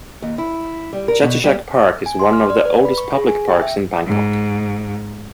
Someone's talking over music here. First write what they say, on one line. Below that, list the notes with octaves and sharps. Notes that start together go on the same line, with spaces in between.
Chatuchak park is one of the oldest public parks in Bangkok.
D#2
E4
G3
A#4
B2
G3
G#5
C6
F6
D5
B4
B5
C#6
G#4
G#5
G5
E5
G#2